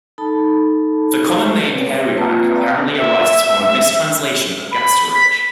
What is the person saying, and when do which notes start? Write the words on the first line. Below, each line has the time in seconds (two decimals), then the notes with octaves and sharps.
The common name "hairyback" apparently arises from a mistranslation of "gastrotrich".
0.18 D#4 A4 A5 B5
1.72 C4 B4 C#5
2.16 A#3 C4 F4 B4 A5 A#5
2.55 D5 F5 G5 A#5 B5
2.98 E5
4.72 B5
5.14 B6